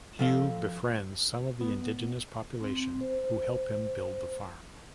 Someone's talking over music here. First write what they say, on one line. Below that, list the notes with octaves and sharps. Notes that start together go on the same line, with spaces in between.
Huw befriends some of the indigenous population who help him build the farm.
F3 A4 F5
B3
C4
C5